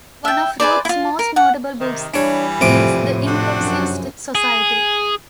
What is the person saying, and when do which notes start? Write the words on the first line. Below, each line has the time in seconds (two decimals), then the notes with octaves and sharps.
One of Ruth's most notable books is The Inclusive Society?
0.25 E5 G5
0.60 G#4 B4 C5 D5
0.85 E4 F4
1.19 A#4
1.36 F#5
1.79 C3 D#3
2.14 E3 G3 D4 C#5
2.61 F2 A2 C3 D6
2.93 A2
3.26 C4 D4 F#4
3.62 F#2
4.35 G#4